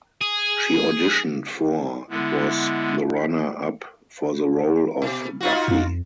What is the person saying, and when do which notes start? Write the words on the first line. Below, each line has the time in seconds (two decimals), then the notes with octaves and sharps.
She auditioned for, and was the runner up for the role of Buffy.
0.21 G#4
2.10 D3 G#3 B3 E4
5.02 B2
5.41 D#4 F4 F#4
5.68 F2